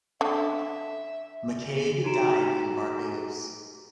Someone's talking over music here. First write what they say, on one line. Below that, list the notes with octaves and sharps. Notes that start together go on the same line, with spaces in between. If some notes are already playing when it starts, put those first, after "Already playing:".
McCaig died in Barbados.
D3 E5
D#4 F#4 G4 A#5 D7 E7